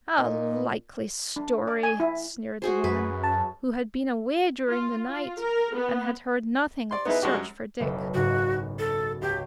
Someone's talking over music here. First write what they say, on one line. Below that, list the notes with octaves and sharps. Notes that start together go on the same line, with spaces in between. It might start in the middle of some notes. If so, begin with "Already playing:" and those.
"A likely story!" sneered the woman, who had been away during the night and had heard nothing of the search for Dick.
A#2 D#4
D4
D5
G#5
E4
F#4 G#4 C5
F#2 B4
A5
F4
F4
A#4
B3
D5 C6
B3 D#4 E4 G#4 B4
G3 G#3 D4 F#4 G4
F#2
F#1 B1 A4
F#1 G#2 F#4
A4
C#2 G4